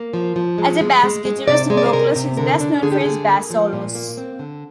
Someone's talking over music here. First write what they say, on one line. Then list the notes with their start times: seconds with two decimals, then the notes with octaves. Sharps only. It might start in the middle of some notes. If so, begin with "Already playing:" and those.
As a bass guitarist and vocalist he is best known for his bass solos.
Already playing: A#3
0.13 F3
0.36 F3
0.58 G#3
0.81 G#3
1.03 G#3
1.25 G#3
1.48 C3 D5
1.70 G#3
1.77 D5
1.86 C5
1.93 C3 A#4
2.16 C3
2.37 D3 A#4
2.60 D4
2.83 D3 G#4
2.92 G4
3.01 D3 G#4
3.28 A#3
3.50 F3
3.73 A#2
3.95 A#3
4.17 C4
4.39 D3